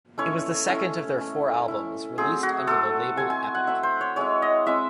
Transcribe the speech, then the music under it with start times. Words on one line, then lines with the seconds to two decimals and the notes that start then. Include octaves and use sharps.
It was the second of their four albums released under the label Epic.
0.18 A3 C#4 E4 C#5
0.68 A3 C#4 E4
1.18 A3 C#4 E4
1.68 A3 C#4 E4
2.18 F#3 A3 C4 G#4
2.43 F#4
2.67 F#3 A3 C4 A4
3.17 F#3 A3 C4 G#5
3.30 G#5
3.55 F#5
3.67 F#3 A3 C4 E5
3.83 C5
4.01 C#5
4.16 G#3 C4 E4 C#5
4.42 D#5
4.66 G#3 C4 E4 E5